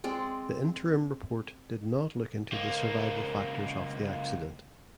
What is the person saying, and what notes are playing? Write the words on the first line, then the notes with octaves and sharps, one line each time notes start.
The interim report did not look into the survival factors of the accident.
G#3 C4 D5
C#2 A#3